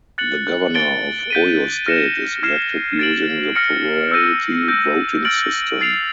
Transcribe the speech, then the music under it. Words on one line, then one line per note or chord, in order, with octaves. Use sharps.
The Governor of Oyo State is elected using the plurality voting system.
F#6 A6 C#7 F#7
A6 D7 G7
G6 B6 D#7
F6 A#6 C#7 E7
F6 G#6 C7 E7
A6 D7 F#7
F6 A#6 C#7
E6 G6 A#6 D#7
E6 G6 A#6 D7
F6 A6 D7 F#7
A6 C7 F7